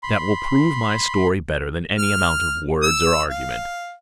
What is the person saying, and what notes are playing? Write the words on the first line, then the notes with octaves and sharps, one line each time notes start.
That will prove my story better than any amount of words or argument.
B5 C6
F6
E6
F5